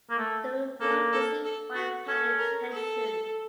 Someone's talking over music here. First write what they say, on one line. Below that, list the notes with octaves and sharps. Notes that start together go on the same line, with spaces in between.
The Report received wide public attention.
A#3
A3
A#3 A4
A4
A4
F#4
C#4 A4
A#4
A4